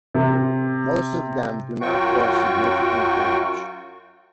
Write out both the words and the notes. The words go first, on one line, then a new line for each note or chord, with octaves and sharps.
Most of them do not cause significant damage.
C3
F#2 F#3 F4 F#4 G5 C#6